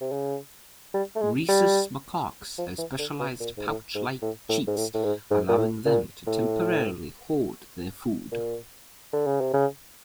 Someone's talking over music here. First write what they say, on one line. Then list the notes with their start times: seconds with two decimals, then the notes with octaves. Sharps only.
Rhesus macaques have specialized pouch-like cheeks, allowing them to temporarily hoard their food.
0.01 C3
0.12 C#3
0.94 G3
1.16 A3
1.21 G#3
1.48 G3
2.58 F3
2.78 E3
2.98 D3
3.19 B2
3.40 A#2
3.57 G#2
3.67 A2
3.94 G#2
4.22 A2
4.49 A2
4.67 G#2
4.76 A2
4.94 A2
5.04 G#2
5.31 G#2
5.48 A#2
5.58 A2
5.85 A#2
6.26 A2
8.31 A#2
9.13 D3
9.26 C#3
9.40 C3
9.53 C#3